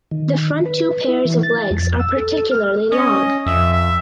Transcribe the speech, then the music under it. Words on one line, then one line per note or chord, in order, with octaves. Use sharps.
The front two pairs of legs are particularly long.
D#3
B4
E4
E3
A6
F2
E6
A4
F6
C#4 D#5
F2 E5
E5